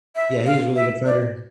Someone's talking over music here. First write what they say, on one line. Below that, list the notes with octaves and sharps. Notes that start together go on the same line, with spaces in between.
Yeah, he's a really good fighter.
E5
F5
E5
D5